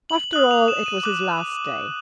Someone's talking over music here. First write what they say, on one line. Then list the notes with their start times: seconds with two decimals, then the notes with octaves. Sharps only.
After all it was his last day.
0.10 F#7
0.33 D#6 F#6 F#7
0.51 F7
0.68 E7
0.86 D#7
1.03 D6 F#6 F#7